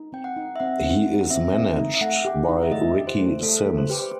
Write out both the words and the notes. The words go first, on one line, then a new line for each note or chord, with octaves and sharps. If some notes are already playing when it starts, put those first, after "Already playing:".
He is managed by Ricky Simms.
Already playing: D#4
C4 G5
F#5
D#4
E5
C4 F#5
C4
D#4
C4 E5
C4
D#4
E5
A3 F#5
G4
D#4
E5
A3 D#5
G4
C5
A3
A3 A4
A3
C5
G4 B4
C5